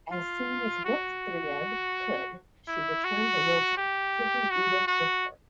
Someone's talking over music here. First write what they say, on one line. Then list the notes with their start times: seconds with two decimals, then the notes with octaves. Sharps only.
As soon as Wulfthryth could, she returned to Wilton, taking Edith with her.
0.12 F4
0.85 F#4
2.68 E4
3.04 F#4
3.77 G4
4.50 F#4
4.87 F#4